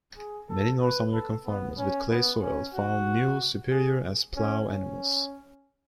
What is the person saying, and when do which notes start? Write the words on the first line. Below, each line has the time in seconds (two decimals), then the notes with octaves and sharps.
Many North American farmers with clay soil found mules superior as plow animals.
0.17 G#4
0.49 A4
0.81 B4
1.13 A4
1.46 B3
1.78 C#4
2.10 B3
2.42 C#4
2.74 F#4
3.71 G#4
4.36 C#4
4.67 C#4